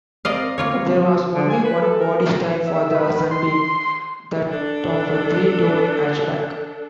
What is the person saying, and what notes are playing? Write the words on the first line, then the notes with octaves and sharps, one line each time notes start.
There was only one body style for the Sunbeam, that of a three-door hatchback.
C4 A#4 C5 D5 D#5 F5
A#3 F4 C#5
G3 B3 C4
F#3 F#4 E6
D3
G#5
B4
A4
A#4
A#4
E5
B4
C6
D4 A4